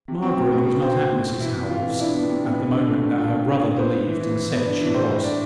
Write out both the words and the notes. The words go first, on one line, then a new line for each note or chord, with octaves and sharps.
Margaret was not at Mrs Howell's at the moment that her brother believed and said she was.
C3
C4
B2
B2
C4
C4 C5
B2
B2
B2
E3 E4
C3
E3 F4
E3
D4 E4
B3
C3
B3
D3
D3
A3
D3
D3 F4
C4
D3
D3
B3 C5
B3
E3
E3
E3
B3
D4
E3
A2 C5
A2
D4 D5